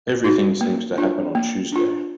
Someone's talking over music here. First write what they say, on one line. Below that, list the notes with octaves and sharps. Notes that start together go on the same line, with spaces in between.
Everything seems to happen on Tuesday.
D#4 F#4
A#3
D4 F4
A#3
D4 F4